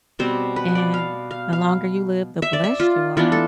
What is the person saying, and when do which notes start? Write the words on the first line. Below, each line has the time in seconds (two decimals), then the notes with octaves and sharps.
and the longer you live, the blessed you are.
0.19 B2 G3 C4 C5
0.56 B4
0.75 D5
0.94 F5
1.31 F5
1.53 F5
2.42 E5
2.53 D5
2.64 E5
2.80 F4
3.17 E3 B3 D4 F4
3.32 A4